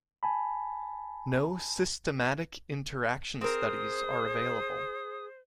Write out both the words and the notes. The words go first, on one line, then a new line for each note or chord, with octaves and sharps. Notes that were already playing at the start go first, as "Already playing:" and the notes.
No systematic interaction studies are available.
G#5 A5 B5
C4 G#4 A#4 C5 D#6